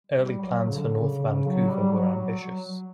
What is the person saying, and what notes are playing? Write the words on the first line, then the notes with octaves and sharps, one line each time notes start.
Early plans for North Vancouver were ambitious.
G3
F#3
C#3
D3
C#3
C#3
F#3
G3
F#3
F#3
F#3